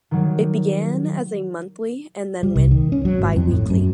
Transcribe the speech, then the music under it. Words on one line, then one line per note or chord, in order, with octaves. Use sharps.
It began as a monthly and then went biweekly.
D#3 F#3 G3
G3
C2
D#3
C#4
F#3
G#1
F2
A2
F#2